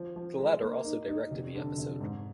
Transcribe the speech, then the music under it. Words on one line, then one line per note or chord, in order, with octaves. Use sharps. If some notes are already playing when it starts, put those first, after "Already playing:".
The latter also directed the episode.
Already playing: F3
F3
G#3
A#3
D#4
D#4
F1
D3
F1
G#2